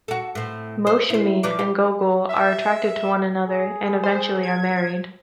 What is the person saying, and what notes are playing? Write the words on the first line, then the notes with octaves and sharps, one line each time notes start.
Moushumi and Gogol are attracted to one another and eventually are married.
F#4 A4
A2 C4
C5
E4 C5
F3 B4 D5
G4
E5
G#4
C5
G#6